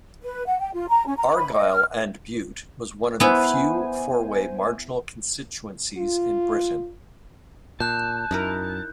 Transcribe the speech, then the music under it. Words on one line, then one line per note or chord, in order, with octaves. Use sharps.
Argyll and Bute was one of the few four-way marginal constituencies in Britain.
B4
F#5
G5
F4
A#5
C#4
A#5
B5
D#5
F6
B3 E4 C5 G#5
F4
A#2 A5 F#6 G6
F#2 D#4 E4 A#4